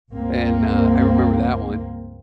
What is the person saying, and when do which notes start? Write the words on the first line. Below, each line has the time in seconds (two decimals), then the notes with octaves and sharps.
and, uh, I remember that one,
0.11 C#2 G2 A#3 C4